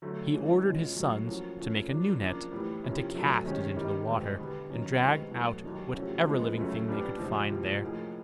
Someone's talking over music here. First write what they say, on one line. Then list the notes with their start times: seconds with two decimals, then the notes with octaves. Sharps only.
He ordered his sons to make a new net, and to cast it into the water, and drag out whatever living thing they could find there.
0.02 D3 F#3 A3
0.34 E3 G#3 C#4
0.64 B2 G#3 C#4 F4
0.96 A2 F#3 A3
1.27 F3 A#3 C#4 F#4
1.58 F3 A3 C#4 F4
1.89 F#3 A#3 D4
2.20 C#3 F3 A#3 D4
2.52 A2 E3 G3 B3
2.83 C3 F3 A#3 C#4 E4
3.14 B2 F#3 A3
3.45 C3 D#3 G#3 C#4
3.76 D#3 G3 A#3 D#4
4.07 E2 B2 G#3 C4
4.38 D3 G3 B3
4.69 D#3 F#3 A#3 C#4
5.01 D2 C3 D#3 G#3 B3
5.31 B2 F#3 A3
5.63 D#2 D#3 F#3 A#3 D4
5.94 C3 F3 A3 C#4 F#4
6.25 C#3 F3 G#3 B3
6.56 D#2 C#3 F#3 A3 C#4
6.88 C2 A#2 G3 B3 D4
7.18 E2 C3 F3 G#3 C4
7.50 D2 C3 F3
7.81 A2 F3 A#3 D#4 G#4